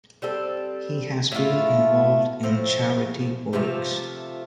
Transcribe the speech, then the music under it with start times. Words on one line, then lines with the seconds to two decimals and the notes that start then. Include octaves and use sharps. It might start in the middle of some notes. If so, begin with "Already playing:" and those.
He has been involved in charity works.
0.22 G3 C4 A4
1.32 A2 A3 F4
2.43 A2 F3 C4
3.53 C3 F3 A3 F4